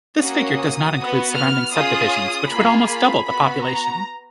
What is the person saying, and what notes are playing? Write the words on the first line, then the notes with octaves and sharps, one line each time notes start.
This figure does not include surrounding subdivisions which would almost double the population.
A#3 C#4 F#4 D#6
B3 F#4
F6
C#4 F4 G#4 D#6
A#3 F4 G#4 B5
B5
B3 F#4 B5
A#5